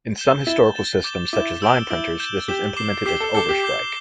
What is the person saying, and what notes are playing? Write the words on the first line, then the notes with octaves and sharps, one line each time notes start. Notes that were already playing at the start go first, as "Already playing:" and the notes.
In some historical systems such as line printers this was implemented as overstrike.
G6 E7 G7
E4 A6 E7 G7
A6 E7 G7
D6 G6 E7 G7
E4 D6 G6 E7 G7
E6 G6 D7 G7
E4 E6 G6 D7 G7
G6 E7 G7
G4 G6 E7 G7
D6 C7 E7 G7
G4 D6 C7 E7 G7
A4
A4 D6 G6 C7 G7
G4
D6 G6 C7 G7